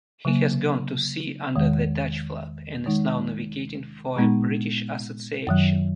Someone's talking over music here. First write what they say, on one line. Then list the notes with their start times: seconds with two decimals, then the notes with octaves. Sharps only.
He has gone to sea under the Dutch flag and is now navigating for a British Association.
0.25 C#3 F#3 A#3
1.56 E2 D#3 G#3
2.86 D#3 G#3 D#4
4.17 A#2 G#3 B3 D#4
5.47 F#2 D#3 F#3